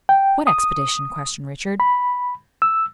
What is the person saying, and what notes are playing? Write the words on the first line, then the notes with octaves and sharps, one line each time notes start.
"What expedition?" questioned Richard.
G5
D#6
B5
E6